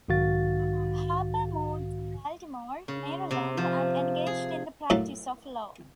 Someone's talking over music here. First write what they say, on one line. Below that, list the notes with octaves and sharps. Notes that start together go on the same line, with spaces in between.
Harper moved to Baltimore, Maryland, and engaged in the practice of law.
B1 G#2 D#3 F#4 F5 A6
C#3
C3
F3
G#4
F#2 A2 A#3 A4 E5